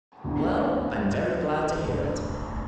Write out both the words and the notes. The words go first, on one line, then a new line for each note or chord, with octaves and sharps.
Well, I'm very glad to hear it.
D2 D3 B3 E4